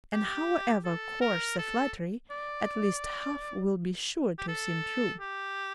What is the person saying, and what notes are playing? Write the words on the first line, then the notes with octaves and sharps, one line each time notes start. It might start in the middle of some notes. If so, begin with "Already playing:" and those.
And however coarse the flattery, at least half will be sure to seem true.
G4
A4
A#4
A4
D5
G4
A4
G4